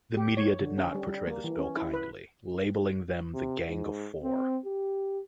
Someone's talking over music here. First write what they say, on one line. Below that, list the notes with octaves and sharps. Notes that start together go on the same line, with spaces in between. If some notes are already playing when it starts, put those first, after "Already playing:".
The media did not portray the spill kindly, labelling them the 'Gang of Four'.
G4
C#5
D3
C#4
G3
G3
A#3
E3
C#4
E4
B4
C3
G#2
C4
G4